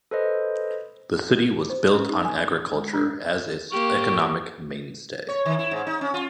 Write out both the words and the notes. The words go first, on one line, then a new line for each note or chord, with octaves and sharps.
The city was built on agriculture as its economic mainstay.
A4 B4 C5 D#5
C5
C#4
D#4
G#5
D5
G#3
D4
A#3 G4 C#6
C#5
D#3
E4
G#2
D#4
C#4
F4